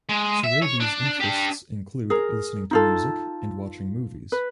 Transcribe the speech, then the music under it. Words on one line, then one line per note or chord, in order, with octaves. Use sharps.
Serevi's interests include listening to music, and watching movies.
G#3
E5
C#5
D4
D4 G4
G#4 A#4
D#4 F4 A4
B4